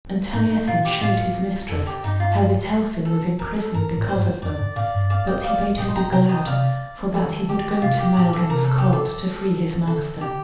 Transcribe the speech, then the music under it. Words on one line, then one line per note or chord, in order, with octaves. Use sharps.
And Taliesin showed his mistress how that Elphin was in prison because of them; but he bade her be glad, for that he would go to Maelgan's court to free his master.
A2 D#4
D#4
A#2 F4
G4
A2 F4
F2 A4
G4
G2 D#4
F4
A4
A#4
A4
G2 A#4
A2
C5
A2
G2
F2 D5
G2
A2 D5 F5
G2
D5 F5
D#5 G5
D5 F5
A#2 D#5 G5
C6
G5 A#5
C3 G5 A#5
D#5 G5
C3 D5 F5
F3 A4
D#3
D3
D#3 G4
G4
C3 F4
G4
A#2 G4
A4
C3 A#4
A4
G4
A4
D3 A4
D3 G4